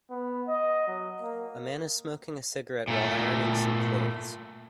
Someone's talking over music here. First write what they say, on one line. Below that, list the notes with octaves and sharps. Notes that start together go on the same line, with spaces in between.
A man is smoking a cigarette while ironing some clothes.
B3
D#5
F#3
A#3
A#2 A3